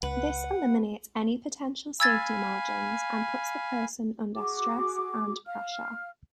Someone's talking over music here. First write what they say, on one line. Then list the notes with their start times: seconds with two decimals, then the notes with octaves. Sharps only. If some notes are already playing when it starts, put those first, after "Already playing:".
This eliminates any potential safety margins and puts the person under stress and pressure.
0.03 C#2 B4 F#5
2.00 F5 G#5 B5 E6 G#6 A6
4.35 F#4 G#4 D6
5.46 F5 F6